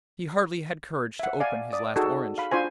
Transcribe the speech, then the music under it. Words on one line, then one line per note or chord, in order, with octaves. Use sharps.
He hardly had courage to open his last orange.
E5 F#5
D5 F5 G#5
D5 D#6
D#4 F#4 G#4 A4
F5 B5
D4 F4 C5 G#5